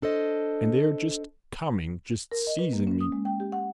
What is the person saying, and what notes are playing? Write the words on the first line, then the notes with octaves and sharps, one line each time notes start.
And they are just coming, just seizing me.
D4 A4 C5 D#5
A#4
D#5
B4
A#3
C#4
D#6
G#3
G5
G4
F#5